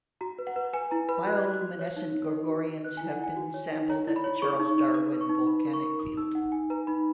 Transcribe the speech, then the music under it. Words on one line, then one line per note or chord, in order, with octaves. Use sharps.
Bioluminescent gorgonians have been sampled at the Charles Darwin volcanic field.
F#4 A#5
B4
F#5
B4
B4 G#5
E4 A#5
B4 B5
F#4 F#6
G#6
F#4 F#6
F#4
C#5
D#4
D#4
D#4
F#4
D#4
B4 F#6
G#5
E4
F#5
E4 G#5
F#4
C#5
D#4
C#5 A#5
E4
B5
C#5
G#4 C#6
D#4
C#6
D#4
B4 D#6
B4
C#6
D#4
D#4 B5
A#4
C#6
A#4
D#4 D#6
D#4 E6
D#4 F#5
D#4 G#5
B4 A#5
D#4 B5